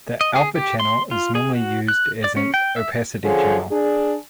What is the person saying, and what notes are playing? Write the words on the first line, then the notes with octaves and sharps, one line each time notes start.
The alpha channel is normally used as an opacity channel.
D#5
G#4
G4
C6
F4
G#4
F#4
F#6
D5
C#4
G5
E5
D3 F3 C#4 G#4
D4 G#4